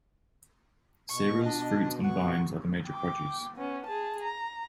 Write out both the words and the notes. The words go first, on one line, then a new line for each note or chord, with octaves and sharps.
Cereals, fruit and vines are the major produce.
B2 C#6
D4 D#5
F#5 C#6
G5 D6
B3 C#4
G#4 A5
A#5